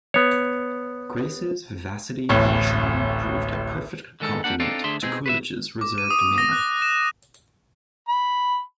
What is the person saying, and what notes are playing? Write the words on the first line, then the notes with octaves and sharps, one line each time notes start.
Grace's vivacity and charm proved a perfect complement to Coolidge's reserved manner.
B3 C#5
D1 A1 A2 C#5
D3 D#3 G#3 A4
G3 A#3 D4 F#5
C4 D4 D#4 F4 A4 D5
D2 D4 G#4 E5 C6
B2 C4 D#4 G#4
B4 C5 E5
D6
D#7
D#6
A#6
F#6
E7
B5